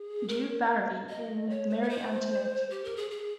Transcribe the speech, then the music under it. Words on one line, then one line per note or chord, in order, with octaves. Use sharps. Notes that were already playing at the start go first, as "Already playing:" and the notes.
Du Barry in "Marie Antoinette".
Already playing: G#4
A#4
D#5
C#5
C5
A#4
C5
G4
A#4
G#4
G#4